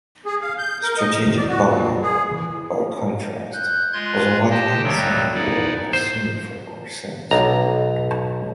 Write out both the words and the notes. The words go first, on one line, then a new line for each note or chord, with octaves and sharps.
Strategic bombing, by contrast, was unlike anything the world has seen before or since.
G#4
F5
G6
A#4
D#5
C3
D5
F#4
A#2
G#4
E3
F#6 G6
G#3 F4 C6 F#6 G#6
G4 C5 D#5 G5 A5
D#2 F#3 G3 A3
B3 D#4 E4 D5
C5
B1 A#5